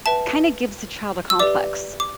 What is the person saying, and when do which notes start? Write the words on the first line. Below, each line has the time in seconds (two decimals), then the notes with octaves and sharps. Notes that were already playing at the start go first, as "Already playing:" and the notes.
kinda gives the child a complex.
0.06 B4 E5 G5 A5
1.30 E6
1.39 G4 B4 D5 E5 D6
2.00 D6